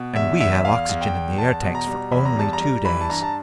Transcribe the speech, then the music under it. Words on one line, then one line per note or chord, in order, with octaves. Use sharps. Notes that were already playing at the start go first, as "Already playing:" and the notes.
"And we have oxygen in the air tanks for only two days."
Already playing: B2
E2 E5
E2 E5
E2 F5
E2
G5
E2
E2 A5
B2
A#5
G3
E2 B5
A#5
G3 A5
A#5
G3
E3 B5
A5
G2 A#5
A5